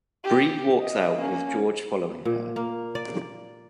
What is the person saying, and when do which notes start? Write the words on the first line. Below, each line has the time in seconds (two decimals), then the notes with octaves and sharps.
Bree walks out with George following her.
0.24 G4
0.79 D#5
1.15 A#3 C#4
2.25 A#2
2.56 A#3
2.95 D5